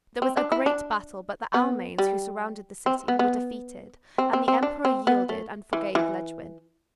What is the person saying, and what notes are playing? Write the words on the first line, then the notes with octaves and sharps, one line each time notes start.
There was a great battle but the Almains who surrounded the city were defeated and the Emperor yielded and forgave Ledgwin.
C4
D4
E4
D4
B3
G3
C4
B3
B3
C4
C4
C4
D4
C4
B3
A3
E3
E3